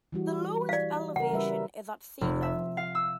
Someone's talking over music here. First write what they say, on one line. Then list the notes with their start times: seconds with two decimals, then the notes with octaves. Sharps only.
The lowest elevation is at sea level.
0.12 E3 G3 F#4
0.69 D5 F5
1.16 C#3 A#4 F#5
1.33 G3 B4 E5
2.21 F1
2.42 E5
2.77 F5
2.95 E6